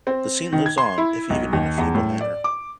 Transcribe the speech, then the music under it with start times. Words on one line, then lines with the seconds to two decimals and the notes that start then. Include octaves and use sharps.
The scene lives on if even in a feeble manner.
0.07 C4
0.53 D#3
0.66 G#6
0.78 C6
0.98 E4
1.30 B1
1.53 D#2
1.78 E2
1.95 A2
2.21 D5
2.44 D6